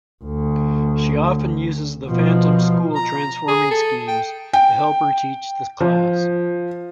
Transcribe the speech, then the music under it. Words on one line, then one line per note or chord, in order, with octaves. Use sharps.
She often uses The Phantom's school transforming schemes to help her teach the class.
D2
B2 F3
A#5
G#4
A4
G5
G5
F3